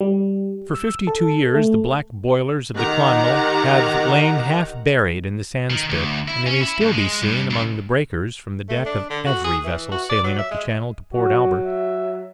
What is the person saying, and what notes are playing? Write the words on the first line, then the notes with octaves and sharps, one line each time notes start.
For fifty-two years the black boilers of the 'Clonmel' have lain half buried in the sandspit, and they may still be seen among the breakers from the deck of every vessel sailing up the channel to Port Albert.
G3
E6
A4
A3
D#3 G4 F#5 A#5
D#3
D2
E4
C#4
E4
G2
G#3
G2
C#2
A3
D4
D3
F#4
G#4
E3
F#4
D5
F#3
E5
G#3
F#3 F#4
E5